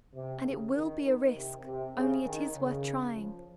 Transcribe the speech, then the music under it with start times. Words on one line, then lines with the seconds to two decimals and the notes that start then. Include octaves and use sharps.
And it will be a risk only it is worth trying.
0.14 C3
0.43 C#3
0.74 D#3
1.04 D#3
1.35 C3
1.64 C3
1.95 C#3
2.25 D#3
2.55 C#3
3.15 F3